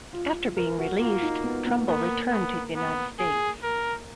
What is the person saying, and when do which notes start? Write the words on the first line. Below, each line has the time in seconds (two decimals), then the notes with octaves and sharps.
After being released, Trumbull returned to the United States.
0.13 F4
0.56 A#4
0.78 F#4
1.00 A#3 F4
1.22 D#4
1.44 B3
1.66 B3
1.88 A#3 B3
2.32 B3
2.76 B3
3.19 G#4
3.63 A#4